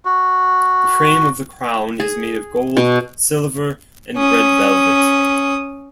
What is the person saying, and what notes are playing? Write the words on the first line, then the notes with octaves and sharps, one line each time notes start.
The frame of the crown is made of gold, silver and red velvet.
F#4
G#4
B2
C#4 D#6